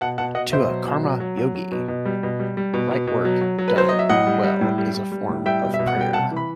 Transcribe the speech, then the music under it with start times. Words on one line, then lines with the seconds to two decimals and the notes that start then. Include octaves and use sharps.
To a "karma yogi", right work done well is a form of prayer.
0.01 B2 F#5 A5
0.18 B2 F#5 A5
0.35 B2 D#5 F#5
0.52 B2 C5 E5
0.69 F#3
0.87 B2
1.03 F#3
1.20 F#3
1.37 F#3
1.55 F#3
1.72 B2
1.88 B2
2.05 G3
2.23 B2
2.40 G3
2.57 G3
2.74 B2
2.91 B2
3.07 B2
3.25 F#3
3.41 F#3
3.58 F#3
3.68 B4
3.76 F#3 C5
3.89 F#3 D#5
3.99 E5
4.09 A2 D#5 F#5
4.27 G3
4.44 G3
4.61 A2
4.78 G3
4.95 G3
5.12 G3
5.29 A2
5.46 G3 E5 G5
5.62 B2
5.74 E5
5.79 B2
5.87 F#5
5.97 G3 G5
6.13 C3 F#5 A5
6.31 E3
6.37 B5